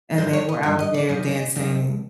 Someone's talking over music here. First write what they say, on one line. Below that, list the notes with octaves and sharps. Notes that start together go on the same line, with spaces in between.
and they were out there dancing
G2 D3 F3 C5
C#5
D#5
G2 D3 F3 E5
D#5
D5
F#2 D#3 D#5
F#2 D#3